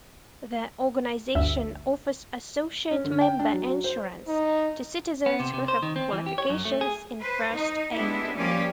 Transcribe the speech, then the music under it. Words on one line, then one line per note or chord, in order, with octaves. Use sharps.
The organisation offers associate member insurance to citizens who have qualifications in First Aid.
G1 D2 E5
C#4
D3
G5
D4
F#3
C5
D#4
B3
C3
C3
C5
D#3
C4
E3
G4
C#5
F#2
A3
G#4
B4 C5
D#4
G#3 B3 D4 E4 G4
F3 G3 A#3 C#4 G4 D5